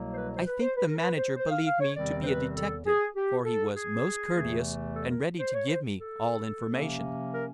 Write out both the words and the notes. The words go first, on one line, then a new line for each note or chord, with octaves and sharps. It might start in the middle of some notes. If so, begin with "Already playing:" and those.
I think the manager believed me to be a detective, for he was most courteous, and ready to give me all information.
Already playing: C2 B2 F#3 A#3
C5
B4
C5
B4
C5
B4
A#4
B4
C5
C5
F5
F5
C#5
E2 C3 D#3 G3 C4 D5
C5
B4
A4
G#4
G4
A4
G#4
E2 C3 E3 A3
A4
A#4
C5
C#5
C5
A4
C3 F3 A#3 C#4
A#4